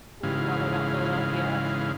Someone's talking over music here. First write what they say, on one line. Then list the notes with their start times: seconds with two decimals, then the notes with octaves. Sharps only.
love about Philadelphia
0.23 G#2 C#3 E3 F5